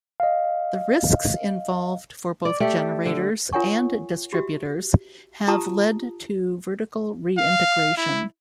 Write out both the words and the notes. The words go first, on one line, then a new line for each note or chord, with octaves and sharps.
The risks involved for both generators and distributors have led to vertical re-integration.
D#5 F5
D5
A3 G4 D5
D3
F4 A#4 C#5 F#5 G#5 C#6
F#4 G4 E5
F4 G4 A5 A#5 D#6
F5
E4